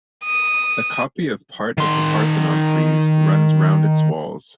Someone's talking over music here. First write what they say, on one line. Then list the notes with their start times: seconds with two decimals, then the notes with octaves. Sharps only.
A copy of part of the Parthenon frieze runs round its walls.
0.24 D#6
1.78 D#3 C6